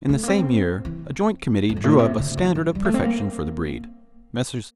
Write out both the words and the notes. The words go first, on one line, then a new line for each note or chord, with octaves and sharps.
In the same year a joint committee drew up a standard of perfection for the breed, Messrs.
A3
A#3
C4
E3
F2
G2
A2
A#2
C3
D3
E3
F3
G3
A3
C4
A#3